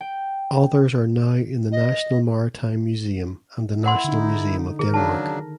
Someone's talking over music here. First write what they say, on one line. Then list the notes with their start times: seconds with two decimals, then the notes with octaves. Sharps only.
Others are now in the National Maritime Museum and the National Museum of Denmark.
0.01 G5
1.72 D#5
3.84 E4 A#4 F#5 C6
4.04 D3 D#4
4.79 D#3 G#4 A#4
4.94 C#3 F#3 D4 A5